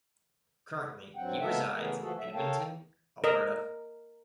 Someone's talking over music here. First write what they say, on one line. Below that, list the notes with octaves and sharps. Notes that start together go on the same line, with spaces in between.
Currently he resides in Edmonton, Alberta.
G2 F#3 C4 F#5 G5
G#3 A#3 B3 A4 A#4 E5
C#3 E3 A3 B3 G#4 A#4
E3 F3 A3 F#4 G#4 A4
E2 D3 F#3 E5
A4 A#4 C#5 F5 G5 A5
A#4 D#5